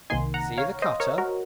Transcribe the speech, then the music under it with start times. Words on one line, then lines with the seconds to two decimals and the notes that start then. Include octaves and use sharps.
"See the cutter?"
0.10 C2 C3 D#3 A#3 D#4 G#5 C6
0.34 F#5 A#5
0.58 C#5 F5
0.82 C5 D#5
1.00 A#4 C#5
1.18 F#4 A#4